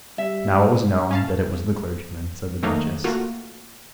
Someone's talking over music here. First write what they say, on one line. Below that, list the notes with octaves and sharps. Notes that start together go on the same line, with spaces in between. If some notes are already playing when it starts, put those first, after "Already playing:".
"Now it was known that it was the clergyman," said the Duchess.
G3 E5
C#4 F5 A5
D#3 F#3 A3 A#3 D#4
A3 A#3 F4 F#4